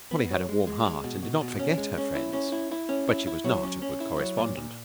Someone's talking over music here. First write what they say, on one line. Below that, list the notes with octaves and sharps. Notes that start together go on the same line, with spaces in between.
Polly had a warm heart and did not forget her friends, but she was not a good correspondent.
B3
F#3
G#3
G#3
G#3
B2
B2
B2
C#4
G#3
C#4
E4
C#4
E4
E4
C#4
E4
E4
F#3
C#4
C#4
E4
F#3
A#2
A#2